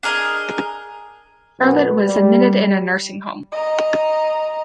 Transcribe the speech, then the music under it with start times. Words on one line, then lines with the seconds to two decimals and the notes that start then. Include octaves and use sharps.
Charlotte was admitted in a nursing home.
0.03 D4 G#4 A#4 D#5
1.59 F#2 B2 B3
2.05 G3
3.52 D#5 A#5